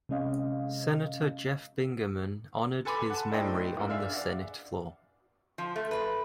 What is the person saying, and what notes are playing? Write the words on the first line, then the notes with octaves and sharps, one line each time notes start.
Senator Jeff Bingaman honored his memory on the Senate floor.
C3 G#3 C#4 D#5 F5
A4 B4 G#5 B5 C6 D6
F#5 A5
A3 D4 E4 C5 D#5 G5
F#2 A#2
D4 G#4 E5 F5
D5 F#5
F3
A3
B4